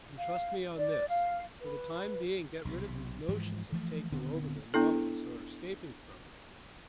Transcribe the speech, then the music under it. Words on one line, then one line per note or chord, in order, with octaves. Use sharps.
And trust me on this: for the time being, get rid of these notions of taking over the Nautilus or escaping from it.
F5
D5
F5
B4
B1 C3
G#2 E3 F3
E3 F3 A3
D#1 D3 B3 C4
B3 D4 E4 A4